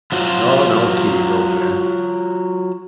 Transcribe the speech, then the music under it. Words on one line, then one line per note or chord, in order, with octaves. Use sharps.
"No, no," Kitty broke in.
F#3 F4 F#4 C5